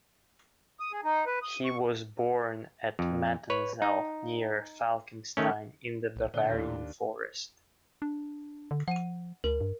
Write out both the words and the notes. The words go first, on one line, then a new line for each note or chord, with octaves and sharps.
He was born at Mattenzell, near Falkenstein in the Bavarian Forest.
D#6
G#4
D#4
B4
D#6
C#6
F2
B4 C#5
D#4
D#3 A3 C#4
B1
A#2 D3 D4 G7
D#2 D4
D4
D3
F3 F#5 D#7
D2 A#4
G2